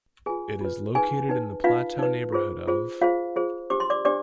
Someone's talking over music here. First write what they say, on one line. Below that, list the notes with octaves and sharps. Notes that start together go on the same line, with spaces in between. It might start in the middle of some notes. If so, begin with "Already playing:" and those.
It is located in The Plateau neighbourhood of.
F4 G#4 B4 G#5
F4 B4
D#4 G#4 B4 G#5
D#4 B4
D#4 F4 B4 F5
D#4 B4
F4 G#4 C5
F4 G#4 C5
F4 G#4 C5 F5
F4 G#4 C5
D4 G4 C5 D6
C6
D5 D6
D4 G4 C5 D5 D6